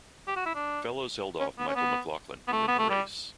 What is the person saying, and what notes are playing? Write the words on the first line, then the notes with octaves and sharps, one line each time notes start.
Fellows held off Michael McLaughlin to win the race.
G4
F#4
E4
D4
C#4
B3
C#4
B3
B3
A3
B3
A3
G3